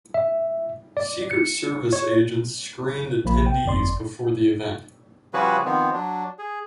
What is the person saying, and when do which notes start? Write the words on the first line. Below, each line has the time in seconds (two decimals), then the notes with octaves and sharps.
Secret Service agents screened attendees before the event.
0.14 E5
0.97 D5
1.31 C#7
1.93 C#5
3.25 A#1 F3 A#3 B5
3.46 G5
3.65 G1 F2 D5 C6
5.34 C#3 F3 G3 F#4 G#4 B4
5.65 D#3 F3 B3 C4
5.93 F#3 D4
6.39 G#4